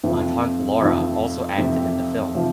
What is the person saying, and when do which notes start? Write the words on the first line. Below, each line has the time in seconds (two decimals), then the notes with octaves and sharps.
Autant-Lara also acted in the film.
0.04 F2 C3 F3
0.81 F2 C3 F3
1.58 F2 C3 F3
2.35 C3 F3